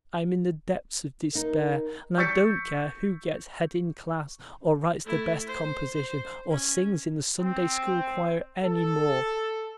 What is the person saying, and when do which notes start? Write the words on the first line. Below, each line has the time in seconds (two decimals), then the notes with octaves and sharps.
I'm in the depths of despair and I don't care who gets head in class or writes the best composition or sings in the Sunday-school choir any more.
1.35 D#4 A#4
2.17 C#6 E6 G6 A6 B6 C#7
5.05 A3 E4
5.46 C5
5.94 C5
6.51 C#4
7.40 C4
8.63 A4